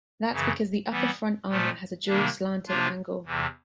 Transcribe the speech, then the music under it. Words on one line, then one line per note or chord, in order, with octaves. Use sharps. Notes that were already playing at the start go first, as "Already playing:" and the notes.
That's because the upper front armour has a dual slanted angle.
F#2 C#3 E3
E3 G3 B3
A#2 F3 A3
C3 D#3 G3 A#3 D4
C3 F3 A#3 D4 F4
E2 C3 E3